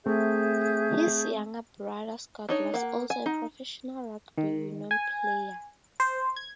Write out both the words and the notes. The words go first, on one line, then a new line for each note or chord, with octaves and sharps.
His younger brother Scott was also a professional Rugby Union player.
A3 C4 G#4 E5 G6
D4 D#4 C#5
A#3 F#5
G#5
D#4
D#3
G#5
C5
G#6